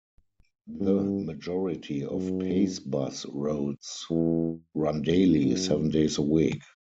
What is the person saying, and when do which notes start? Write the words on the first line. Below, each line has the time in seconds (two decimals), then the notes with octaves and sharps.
The majority of Pace bus routes run daily, seven days a week.
0.80 G2
2.12 F#2
4.10 E2
5.42 F#2